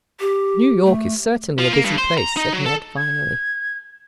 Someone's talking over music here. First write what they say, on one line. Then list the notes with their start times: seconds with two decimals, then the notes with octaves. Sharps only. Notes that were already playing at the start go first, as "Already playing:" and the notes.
"New York is certainly a busy place," said Ned, finally.
0.20 G4
0.85 A3
1.59 F3
1.73 A#3
1.85 G2
1.98 C5
2.18 A#5
2.37 D#4
2.53 F#3
2.66 A4
2.97 G#6